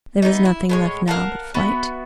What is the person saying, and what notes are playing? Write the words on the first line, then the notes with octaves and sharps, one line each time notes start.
There was nothing left now but flight.
E3 G#3 B3 D#4
E4
A2 G#3 C#5
A#4 F5 F#5 A5
B3 F#4 E5